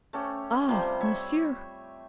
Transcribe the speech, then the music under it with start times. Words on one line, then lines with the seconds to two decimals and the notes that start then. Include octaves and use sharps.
"Ah, monsieur!"
0.13 A3 C#4 G4
0.68 C3 F3 G3 C5
1.01 C#5 E5